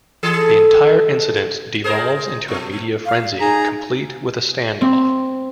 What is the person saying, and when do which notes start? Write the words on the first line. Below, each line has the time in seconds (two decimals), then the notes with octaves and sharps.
The entire incident devolves into a media frenzy complete with a stand off.
0.23 E3 G#4 A4
1.84 G#4 A#4 C5
2.48 B2
3.06 F5
3.40 D#4 G#4 A#5
4.81 C4